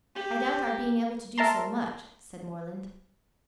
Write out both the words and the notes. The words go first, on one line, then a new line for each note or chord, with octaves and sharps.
"I doubt our being able to do so much," said Morland.
G4
A#4 E5 A5 A#5 C6